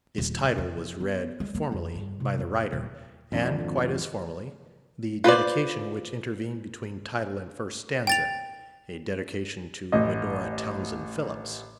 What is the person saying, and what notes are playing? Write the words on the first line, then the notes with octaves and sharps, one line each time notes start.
Its title was read, formally, by the writer; and, quite as formally, the dedication which intervened between title and first stanza,--a dedication to "Medora Townsend Phillips."
D#1
C3
F2
B3
G#3
A#3
F2
G2
C3
F2
D#1
G#1 F2 D4
F4 B4 C5 D5
G5 A6 F7
A1 D#5